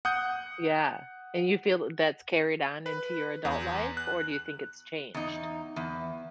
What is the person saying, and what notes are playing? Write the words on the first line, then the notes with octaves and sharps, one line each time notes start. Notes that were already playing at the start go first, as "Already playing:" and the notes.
Yeah. And you feel that that's carried on into your adult life, or do you think it's changed?
F#5 D#6 G6
B4
E2
F#6
E2 D#4
E2